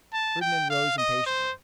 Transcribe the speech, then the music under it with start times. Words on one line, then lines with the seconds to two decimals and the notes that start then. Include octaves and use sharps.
Fernand rose impatiently.
0.13 A5
0.41 G5
0.70 F5
0.98 D#5
1.26 C5